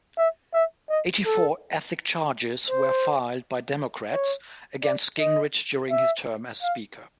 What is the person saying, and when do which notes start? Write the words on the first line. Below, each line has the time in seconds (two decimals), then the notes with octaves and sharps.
Eighty-four ethics charges were filed by Democrats against Gingrich during his term as Speaker.
0.18 E5
0.53 E5
0.90 D#5
1.25 A4
2.69 C5
4.11 C#5
4.83 D5
5.18 D#5
5.90 E5
6.62 F5